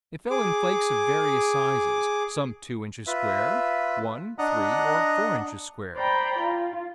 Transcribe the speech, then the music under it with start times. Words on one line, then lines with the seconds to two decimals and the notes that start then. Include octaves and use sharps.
It fell in flakes of various sizes; some two inches square, one, three or four inches square.
0.31 G#4 D6
3.07 F4 B4 E5
4.38 D4 D#5 F#5 A#5
5.96 C5 D5 G5 A#5 B5
6.39 F4